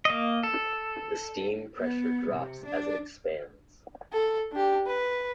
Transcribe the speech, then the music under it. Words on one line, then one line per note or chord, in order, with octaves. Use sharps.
The steam pressure drops as it expands.
A#3 D#5
A4
B3
C3
D4
A4
D4 G4
B4